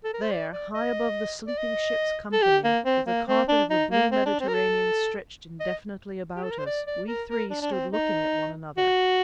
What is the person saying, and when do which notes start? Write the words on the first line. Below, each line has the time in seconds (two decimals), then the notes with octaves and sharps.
There, high above the sleeping ship's company, with the carpet of the blue Mediterranean stretched indefinitely about us, we three stood looking at one another.
0.04 A4
0.14 A#4
0.22 C5
0.31 D5
0.53 D5
0.74 D#5
1.47 D5
1.58 D#5
2.33 A4
2.42 G4
2.64 A#3
2.85 C4
3.07 A#3
3.27 C4
3.49 D4
3.70 D#4
3.91 A#3
4.12 C4
4.26 D4
4.40 C4
4.48 A#4
4.54 A4
5.60 D#5
6.36 G4
6.43 A4
6.51 A#4
6.58 C5
6.66 D5
6.87 D5
7.08 A#4
7.29 A#4
7.50 D4
7.61 D4
7.72 C4
7.93 D#4
8.78 F#4